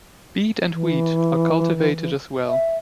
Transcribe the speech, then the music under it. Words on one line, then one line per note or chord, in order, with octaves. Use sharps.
Beet and wheat are cultivated as well.
E3
E5